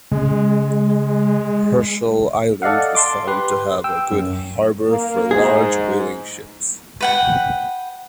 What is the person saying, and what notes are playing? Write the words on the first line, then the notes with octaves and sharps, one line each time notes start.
Herschel Island was found to have a good harbour for large whaling ships.
C#3 G#3 C#4
A4 D5 D#5 F5 F#5
A5 C6 D6
G4 B4 C6
G5 E6
F#2
A#3
G#2 G#4
B4 F#5 G5